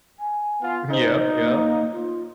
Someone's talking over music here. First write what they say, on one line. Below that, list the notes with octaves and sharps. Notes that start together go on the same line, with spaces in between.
Mhm, yep, yep.
G#5
B3 F4
D#4 C5
A#3
F4